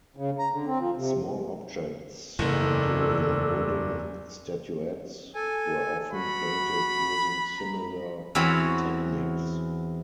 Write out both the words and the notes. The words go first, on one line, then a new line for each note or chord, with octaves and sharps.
Small objects including wooden statuettes were often painted using similar techniques.
C#3
A#5
D3
C4
F3
C3
F#1 E2 G#2 A4 D5
A4 G#5
F#4 B5
A#5
E2 E3 C4 F#4 C#5 B5